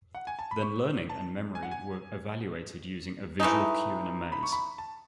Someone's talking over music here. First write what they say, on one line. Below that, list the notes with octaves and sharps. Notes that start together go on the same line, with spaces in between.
Then learning and memory were evaluated using a visual cue in a maze.
F#5
G#5
A5
B5
C#6
A5
G#5
F#5
G#5
E3 A3 D#4 G#5
B5
C#6
B5
A5